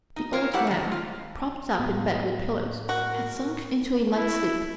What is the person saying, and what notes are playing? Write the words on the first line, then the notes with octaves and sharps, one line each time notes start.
The old man, propped up in bed with pillows, had sunk into a light sleep.
D#4
F4 A#4 C5 C#5
F#3 E4 G4 C5 F#5
A2 D#3
F4
A2 B3
F#4 A#4
E4